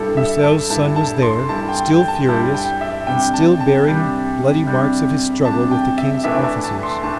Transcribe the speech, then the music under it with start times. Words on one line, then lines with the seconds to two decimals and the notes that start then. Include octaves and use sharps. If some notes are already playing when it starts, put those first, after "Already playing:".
Broussel's son was there, still furious, and still bearing bloody marks of his struggle with the king's officers.
Already playing: G2 G3 E4 A4
0.17 E5
0.43 A5
0.70 G2 G3 E4 A5
0.96 A5
1.22 C6
1.49 G2 G3 E4 A5
1.69 G5
1.88 G5
2.08 A5
2.28 G2 G3 E4 A5
2.54 G5
2.81 E5
3.07 C3 G3 D4 G5
3.34 A5
3.60 A5
3.87 C3 G3 D4
4.66 C3 G3 D4
5.45 C3 G3 D4 A5
5.71 G5
5.98 E5
6.24 A2 E3 A3 D4 E5
6.44 A5
6.64 A5
6.83 C6
7.03 A2 E3 A3 D4 A5